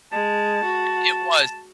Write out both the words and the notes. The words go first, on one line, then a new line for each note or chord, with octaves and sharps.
it was.
G#3 A5
F#4